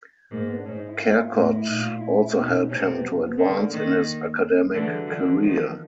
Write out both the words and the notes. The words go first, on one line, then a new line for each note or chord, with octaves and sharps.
Charcot also helped him to advance in his academic career.
G#2 A#3
B3
D4
G#2 C#4
D#4
E4
F4
E4
F4
A2 E4
E4
A#2 D#4
F4
F4
E4
E4
B2 D#4
C3 C#4
C4
B3
F#3
F3
B3
D3 C4
B3
A#3
D#3 A#3
D3 E3 A3
G#3
F#3
D3 E3 F3
E3
F3
D#3 F3 G#3
F#3